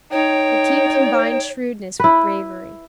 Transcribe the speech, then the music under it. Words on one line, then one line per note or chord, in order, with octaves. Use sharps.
The King combined shrewdness with bravery.
D#4 C#5 G5
E4 B4